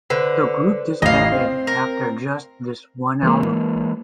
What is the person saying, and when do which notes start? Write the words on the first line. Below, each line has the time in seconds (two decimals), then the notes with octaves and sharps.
The group disbanded after just this one album.
0.10 D3 B4 C5
1.02 A1 D#5 F5 C7
1.32 C4
1.67 A#4
3.23 E3 G#3 A#3